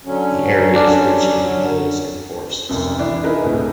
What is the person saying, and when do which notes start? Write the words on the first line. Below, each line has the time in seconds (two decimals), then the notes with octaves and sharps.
The area is rich in hills and forests.
0.05 D3 F#3 C#4
0.76 D4
2.69 F1 C2 F#2
2.99 E3 D4 E4
3.23 D#4 E4 G#4 A#4 B4 E5
3.44 D2 A2 C3 A3